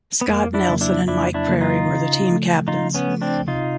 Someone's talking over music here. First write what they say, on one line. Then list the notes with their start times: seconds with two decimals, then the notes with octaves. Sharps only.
Scott Nelson and Mike Prairie were the team captains.
0.21 B3
0.28 F2 A#3
0.54 D4 E4
0.68 C#3 F#3 A#3
0.81 D4 E4
1.08 F2 D4 E4
1.34 D4 E4
1.48 C#3 F#3 A#3
1.61 D#4 F4
1.88 C#3
2.28 F3 A3
2.68 C#3 D#4 F4
2.94 B3 C#4
3.08 F3 A3
3.22 C4 D4
3.48 C3 D#4 F4